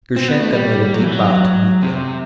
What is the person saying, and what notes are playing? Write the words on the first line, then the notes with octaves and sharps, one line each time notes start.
Grushenka made a deep bow to Mitya.
C4
B3
A3
G3
G3
F#3
E3
F#3
C3